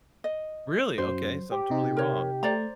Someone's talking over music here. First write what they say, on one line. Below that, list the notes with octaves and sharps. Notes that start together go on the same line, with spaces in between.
Really? Okay, so I'm totally wrong.
D#5
F#2 F#3 C5
G4
C3 D#4
A#4 C#5
A3 C5 D5 A#5